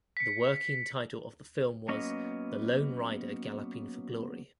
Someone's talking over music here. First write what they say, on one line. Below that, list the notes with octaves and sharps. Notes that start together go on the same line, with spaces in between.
The working title of the film was "The Lone Rider Galloping for Glory".
B6 C#7
F#3 A#3 B3 C#4 D#5